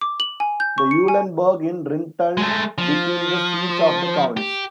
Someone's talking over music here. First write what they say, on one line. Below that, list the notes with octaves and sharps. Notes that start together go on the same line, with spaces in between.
The Eulenburg in Rinteln became the seat of the counts.
D6
F#7
G#5
G6
C#6
C#7
G#5
G#3 A3
F3
G4